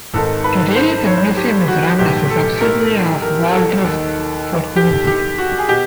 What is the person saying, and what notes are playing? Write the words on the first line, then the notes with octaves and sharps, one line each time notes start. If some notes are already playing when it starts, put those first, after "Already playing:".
Today the museum is run as a subsidiary of Valdres Folkemuseum.
G#1 G#2 D#3 A4
B4
C5
C#5
G4
F#4
B1 A2 E3 G4
A4
A#4
A#4
A4
D#2 D#3
G4
G4
F#4
G#4
B2 G4